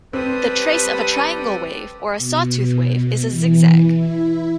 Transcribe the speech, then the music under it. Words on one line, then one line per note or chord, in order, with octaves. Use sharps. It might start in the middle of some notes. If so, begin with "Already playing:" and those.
The trace of a triangle wave or a sawtooth wave is a zigzag.
G3 C4 G4 A4 B4 C5 D5 D#6
B2
E3
E4